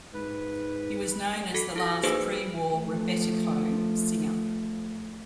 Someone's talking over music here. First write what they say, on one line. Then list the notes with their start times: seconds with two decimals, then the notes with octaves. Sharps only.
He was known as the last pre-war "rebetiko" singer.
0.14 G#2 B4
1.54 F#4 A4 B6 C#7
1.76 E4 A4 A#6
2.03 A#3 D#4 F#4 G#4 B4 C5
2.66 F3 A3